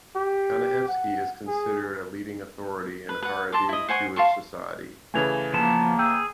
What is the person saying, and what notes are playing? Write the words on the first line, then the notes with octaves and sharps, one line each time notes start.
Kanievsky is considered a leading authority in Haredi Jewish society.
G4
F#5
G#4
B4
B4 F#5
A5 C6 D6
E4 D#5
C5 F#5 G#5 C#6
F5 A5 C6 C#6
C#3 E3 A3 G#5 G#6 F7
F3 A#3 B3 A5
G#4 G5 E6 G6